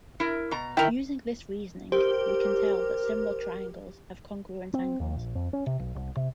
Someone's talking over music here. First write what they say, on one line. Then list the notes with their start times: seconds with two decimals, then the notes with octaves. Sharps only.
Using this reasoning we can tell that similar triangles have congruent angles.
0.20 E4 A#4
0.51 B2 A#5
0.77 D#3 E4 A#4 G5
1.92 G4 A#4 C5
4.74 C4
5.00 D#2
5.15 A#1
5.35 F2
5.53 C#4
5.67 C3
5.79 B1
5.95 C2
6.16 C3